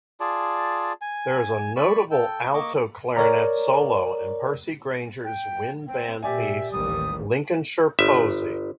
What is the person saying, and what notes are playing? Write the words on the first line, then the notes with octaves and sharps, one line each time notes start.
There is a notable alto clarinet solo in Percy Grainger's wind-band piece "Lincolnshire Posy".
F4 G#4 D5 A5
G#5
D5 B5 C#6
A4 G5
A#3 D#5 C#6 D6
A#4 C#5 D5 A#5
G5
C4 G5
A#2 G4 D5 E5 G#5
A1 D#2 G3 D#6
G1 E5